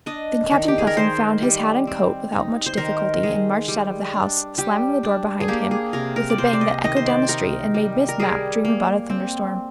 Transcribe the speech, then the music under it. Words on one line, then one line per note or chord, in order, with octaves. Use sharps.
Then Captain Puffin found his hat and coat without much difficulty, and marched out of the house, slamming the door behind him with a bang that echoed down the street and made Miss Mapp dream about a thunderstorm.
D4 D#5
D#3
G4
G#4
A#4
D#3 C5
G3
C4
D#4
C5
D#3 A#4
G#3
G3
D4
G3 G4
D4
G#4
A#3 G4
G#4
C3 A#4
A#4
D5
C3 C5
D5
D#5
D#3 D#5
C5
D5
D#4 A#4
G3
A#4
G3 G#4
A#3
C4